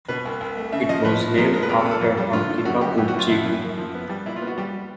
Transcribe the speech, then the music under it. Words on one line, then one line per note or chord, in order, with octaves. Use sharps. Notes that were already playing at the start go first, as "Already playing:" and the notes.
It was named after a Kickapoo chief.
B2 B4
C2
C2
A3
C#3 E5
F3 D#5
F3 B4
F3
F3 A#4
G#3
B4
A#2 A#4
A4
A#2
A4
F2
G3
D3 F4
D3
F#2 F#4
F#2 G4
F#2 G4
F#4
F#2 F4
F3 E4
F#2
F#2
F3
B3
G3
A#2 E4
F4
B3
F#4
G3 G4